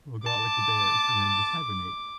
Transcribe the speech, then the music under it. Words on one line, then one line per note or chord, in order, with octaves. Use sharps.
We'll go out like the bears, and then we'll just hibernate.
A5 D6